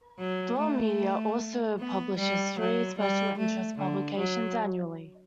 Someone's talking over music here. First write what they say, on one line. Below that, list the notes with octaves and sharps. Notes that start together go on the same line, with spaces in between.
Dwell Media also publishes three special interest publications annually.
F#3
A3
B3
G3
F#3
G3
A3
D3
F#3